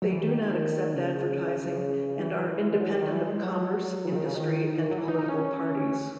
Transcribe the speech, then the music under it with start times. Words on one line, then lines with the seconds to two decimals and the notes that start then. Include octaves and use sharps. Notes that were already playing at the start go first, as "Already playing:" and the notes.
They do not accept advertising and are independent of commerce, industry and political parties.
0.02 F#3
0.12 E3
0.22 D#3
0.95 C#3
2.19 E3
2.73 G#3
2.80 F#3
2.91 D#3
3.02 D#3
3.12 E3
3.27 G#3
3.43 F#3
4.05 E3
4.12 C#3
4.15 D#3
4.26 C#3
4.35 D#3
4.91 F#3
4.98 E3
5.08 D#4
5.19 D#4
5.29 C#4